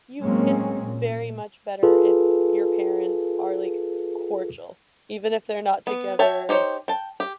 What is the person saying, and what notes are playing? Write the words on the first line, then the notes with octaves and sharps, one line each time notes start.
you it's very much better if your parents are, like, cordial, even if they're not together,
A2 F#3 G#3 A#3 C4 C#4
A#2
F4 G#4 A4 B4
B3
C#5 E5 G5 A5
D#4 G4 C5 C#5
G5 A5
G4